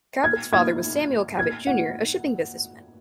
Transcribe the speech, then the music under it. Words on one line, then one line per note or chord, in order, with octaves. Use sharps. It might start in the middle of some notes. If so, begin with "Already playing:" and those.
Cabot's father was Samuel Cabot Junior a shipping businessman.
G#6
G#6
G#6
F#5